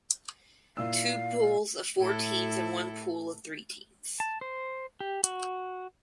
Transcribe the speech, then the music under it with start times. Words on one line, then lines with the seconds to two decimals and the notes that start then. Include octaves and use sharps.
Two pools of four teams and one pool of three teams.
0.77 A#2 E4 F5 E6
1.98 A2 E4 A4
4.20 A5
4.41 C5
5.00 G4
5.24 F#4